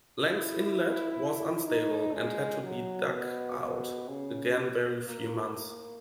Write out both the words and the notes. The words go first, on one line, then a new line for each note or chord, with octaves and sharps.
Lang's Inlet was unstable, and had to be dug out again every few months.
E4
D#4
G#3
F#3
B2
B2
C#3
A#3
A#3